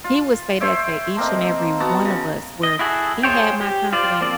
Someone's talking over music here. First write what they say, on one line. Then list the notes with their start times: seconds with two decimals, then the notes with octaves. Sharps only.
He would say that to each and every one of us where he had my confidence
0.04 F4
0.60 C5 C#5 E5 G5
1.16 A3 A#3 C4 D#5
1.80 B3 F#4 A5 A#5
2.05 C#3
2.63 D#5
2.79 E4 F#4 G#4 A4
3.23 F4 G#4 C5 C#5 G5
3.61 G4
3.93 F4 C5 D5
4.21 F3 A#3 C4 D5